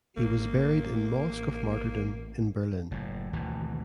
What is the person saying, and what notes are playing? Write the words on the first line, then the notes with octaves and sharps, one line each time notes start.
He was buried in Mosque of Martyrdom in Berlin.
A1 A#3
F#1 A2
G#1 D2 B2 E3